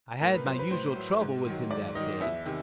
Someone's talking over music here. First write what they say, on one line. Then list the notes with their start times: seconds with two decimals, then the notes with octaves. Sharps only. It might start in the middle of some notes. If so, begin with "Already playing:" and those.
I had my usual trouble with him that day.
0.21 A2 A#4
0.34 B4
0.46 F#3 C5
0.59 B4
0.71 A2 C5
0.95 F#3
1.21 G#2
1.46 D#3 F#3
1.70 G#2 D5
1.95 D#3 F#3 D#5
2.20 E2 E5
2.46 C3 D#3